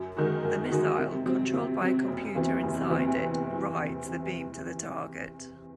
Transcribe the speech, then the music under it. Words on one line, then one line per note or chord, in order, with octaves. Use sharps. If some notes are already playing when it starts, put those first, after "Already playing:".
The missile, controlled by a computer inside it, "rides" the beam to the target.
Already playing: F#2
D#3 G#3 D#4 F#4
F#2
D#3 G#3 D#4 F#4
C3
F#3 C4
C3
F#3 C4
F#1
E2 C3 E3 C4
F#1
E2 C3 E3 C4